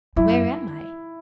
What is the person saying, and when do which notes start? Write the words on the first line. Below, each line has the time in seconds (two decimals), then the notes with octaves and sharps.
"Where am I?"
0.16 F#2 E4